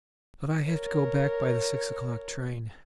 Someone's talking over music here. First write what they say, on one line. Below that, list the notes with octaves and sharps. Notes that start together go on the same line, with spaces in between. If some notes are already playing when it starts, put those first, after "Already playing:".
But I have to go back by the six o'clock train.
A#4 C#5